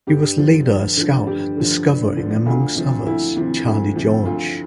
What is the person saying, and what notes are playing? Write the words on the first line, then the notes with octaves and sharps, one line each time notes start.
He was later a scout, discovering, amongst others, Charlie George.
G2 G4
D3 F3
G2
D3 F3
G2 G4
D3 F3
G2
D3 F3
D2 F4
C3 F3
D2 E4
C3 F3
D2
C3 F3
D2 F4